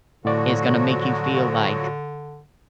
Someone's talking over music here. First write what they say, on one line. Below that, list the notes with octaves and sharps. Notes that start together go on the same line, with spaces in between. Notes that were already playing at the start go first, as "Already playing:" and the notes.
is gonna make you feel like
A2 D3 F3 F#3 F#4 D5